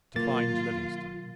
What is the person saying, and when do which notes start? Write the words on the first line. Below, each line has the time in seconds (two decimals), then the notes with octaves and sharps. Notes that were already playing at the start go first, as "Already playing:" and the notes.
"To find Livingstone."
0.16 B2 D#3 F#3 A#3 F4 A6